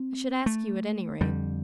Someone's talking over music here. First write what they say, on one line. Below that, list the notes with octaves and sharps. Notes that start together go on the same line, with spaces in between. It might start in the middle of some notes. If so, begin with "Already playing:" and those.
I should ask you at any rate.
Already playing: C4
A3
F2 D3 G3